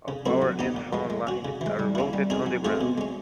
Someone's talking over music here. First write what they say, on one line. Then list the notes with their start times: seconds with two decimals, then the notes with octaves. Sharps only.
All power and phone lines are routed underground.
0.08 C#3
0.26 F#3 A3 C4 E4
0.42 F#3
0.59 B3 D#4 G4
0.77 A#2
0.93 F3 G#3
1.10 G#3
1.27 C#4 F#4
1.45 C#3
1.61 E3 G#3
1.79 G3
1.95 A#3 C#4 E4
2.13 G3
2.30 C4 D#4 G#4
2.46 F#3
2.65 A3 C4 F4 G#4
2.81 B2
2.98 G#3 C#4